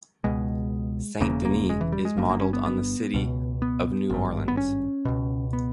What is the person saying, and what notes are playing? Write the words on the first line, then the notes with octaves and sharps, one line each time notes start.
Saint Denis is modeled on the city of New Orleans.
C#2 B2 G#3
E1 E2 C#3 A#3
A#3
G#3
E3
G3
G#3
G1 G2 A#3
A#3
C#4
B3
B3
C#2 B2
B3
G#1 G2
B3
C#4
C#2 B2
B3